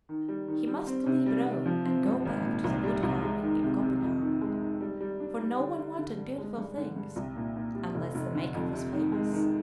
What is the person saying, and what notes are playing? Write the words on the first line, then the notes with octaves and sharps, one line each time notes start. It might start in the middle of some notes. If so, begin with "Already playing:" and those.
He must leave Rome, and go back to the wood-carving in Copenhagen; for no one wanted beautiful things, unless the maker was famous.
D#3
G3
D#3
G3
C4
C3
G3
C3
F3
C4
G2
G#1
A#2
C2
G3
C2
G#3
D#3
C3
C3
F2
D#3
G#3
D#3
G3
G3
D4
G3
D3
D3
D3
G2
G#3
G2
D3
G2
C2
A#2
A#2
G3
F1
F1
D3
F2
C3
D#3
G#3
D#3